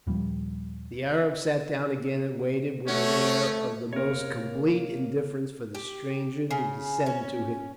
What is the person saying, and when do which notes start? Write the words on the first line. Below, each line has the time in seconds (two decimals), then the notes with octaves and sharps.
The Arab sat down again and waited with an air of the most complete indifference for the stranger to descend to him.
0.07 D#2 A#2 F3 G3
2.87 A3 C#4 F#4 C#5
3.93 C3 A#3 A#4 C#5
5.75 G4
6.51 C#3
7.06 C#4